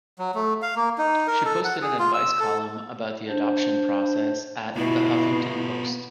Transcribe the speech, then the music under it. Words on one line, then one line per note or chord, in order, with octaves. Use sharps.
She posted an advice column about the adoption process at "The Huffington Post".
F#3
A3
F5
A#3
D#4
A#4
A4
F#5
G#4
F4
E6
A4
D4 C5
B2 B3 E4 F4